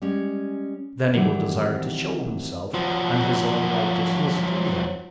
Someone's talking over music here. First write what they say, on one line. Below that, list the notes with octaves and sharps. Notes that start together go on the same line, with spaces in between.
Then He will desire to show Himself and His own righteousness to them....
G3 G#3 C#4
D#3 E3 F#3 G3 C4
F3 F#3